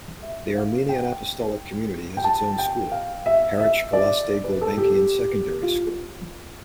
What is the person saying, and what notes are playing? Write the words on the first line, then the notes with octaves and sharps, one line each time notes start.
The Armenian Apostolic community has its own school, Haratch Calouste Gulbenkian Secondary School.
E5
F5
G5
G5
A5
G5
F5
E5
E5
D5
B4
A4
G4
F4